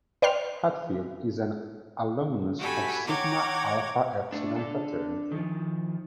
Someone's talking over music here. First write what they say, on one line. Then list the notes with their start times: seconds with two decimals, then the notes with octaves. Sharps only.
Hatfield is an alumnus of Sigma Alpha Epsilon fraternity.
0.22 B4 D5 G5 C6 F6
2.58 F#4 G4 A4 E5 G#5 B5
3.06 C#5 F#5 G5 A#5 D6 G#6
4.32 A3 D4
4.56 D4 A4
5.32 D#3 F3